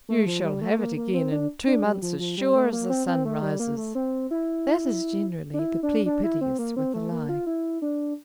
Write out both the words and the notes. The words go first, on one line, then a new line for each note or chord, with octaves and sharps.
"You shall have it again in two months as sure as the sun rises." That is generally the plea piteous with a lie.
A3
F3
G3
A3
A#3
A#3
C4
D4
D4
G3
F3
F3
G3
A3
A#3
C4
C4
A3
G3
A#3
A3
C4
E4
D4
E4
D4
D4
E4
C4
A#3
C4
A3
A#3
F4
E4
D4